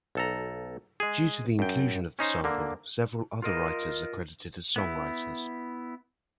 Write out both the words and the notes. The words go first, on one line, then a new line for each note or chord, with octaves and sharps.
Due to the inclusion of the sample, several other writers are credited as songwriters.
B1 A4 A#5
G#3 G#4
F#2 G5
C#4 D#4 C5
D3 A#3
F4 A#4 D#5
B3 E4